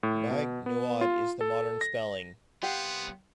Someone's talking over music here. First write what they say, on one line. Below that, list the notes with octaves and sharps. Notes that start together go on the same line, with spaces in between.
"Maigh Nuad" is the modern spelling.
A2
B2
B3
F4
A4
A#6
C2 B3 G4 F5 F#5 C6